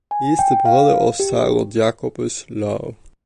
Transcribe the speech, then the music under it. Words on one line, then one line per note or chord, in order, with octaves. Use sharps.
He is the brother of Sarel Jacobus Louw.
G#5
G5
F5
G4